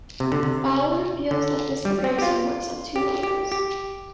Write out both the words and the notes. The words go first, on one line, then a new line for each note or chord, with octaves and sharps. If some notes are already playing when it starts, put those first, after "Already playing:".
Fowler feels that this comparison works on two levels.
C3
D3
C3
D3
G3
C4
G4
F4
G4
G4
G4